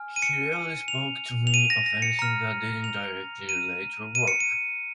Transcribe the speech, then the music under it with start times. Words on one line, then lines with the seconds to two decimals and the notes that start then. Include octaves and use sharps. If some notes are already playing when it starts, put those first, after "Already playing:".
He rarely spoke to me of anything that didn't directly relate to our work.
Already playing: G#5 F6
0.16 D#7
0.22 C#7
0.88 F7
1.47 F7
1.54 D#7
1.70 A#6
1.86 A#6
2.02 C#7
2.19 A#5 F6 C#7
2.84 F7
3.49 D#7
4.15 D#7
4.28 C#7
4.40 D#7